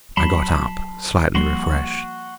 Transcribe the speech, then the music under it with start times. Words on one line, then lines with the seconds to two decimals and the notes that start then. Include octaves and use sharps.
I got up, slightly refreshed.
0.17 F#3 A5 B5 C6
1.35 F3 G3 A#3 F#4 C6